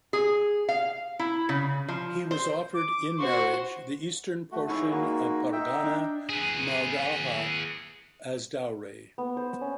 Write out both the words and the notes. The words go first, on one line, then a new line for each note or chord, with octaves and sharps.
He was offered, in marriage, the eastern portion of pargana Maudaha as dowry.
G#4
F5
E4
C#3
F3
C5
D6
F#4 C5 C#6
A3 F#4
D#4 E4 G#4 C#5 C#6
A#3 F#4
D#4 E5 G5
D4
G#4 B4
B3
C5
C#4